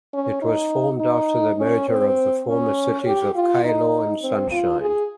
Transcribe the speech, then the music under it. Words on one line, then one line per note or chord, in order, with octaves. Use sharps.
It was formed after the merger of the former Cities of Keilor and Sunshine.
C#4
D#4
D#4
C#4
C4
C#4
G4
F4
D#4
C4
F4
G#4